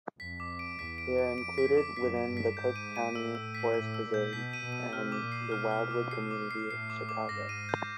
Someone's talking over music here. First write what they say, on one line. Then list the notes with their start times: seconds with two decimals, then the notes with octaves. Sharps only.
They are included within the Cook County Forest Preserve and Wildwood community of Chicago.
0.19 F2 B6
0.40 D6
0.59 D7
0.79 E2 B6
0.98 D7
1.19 D7
1.38 F2 D7
1.58 B6
1.77 D6
1.97 F#2 B6
2.17 D7
2.27 G2
2.37 B6
2.56 G#2 G6
2.76 D#7
2.96 D#7
3.15 A2 E6
3.35 E6
3.55 B6
3.74 A2 E6
3.94 E6
4.04 A#2
4.14 G6
4.33 B2 B6
4.53 D#7
4.63 B2
4.72 D#7
4.92 C3 F6
5.12 D6
5.22 A#2
5.32 C7
5.52 B2 F6
5.71 F6
5.91 D6
6.11 C7
6.31 D6
6.51 C7
6.70 A2 C7
6.90 D6
7.09 D6
7.29 G#2 A#6
7.49 D#7
7.69 G6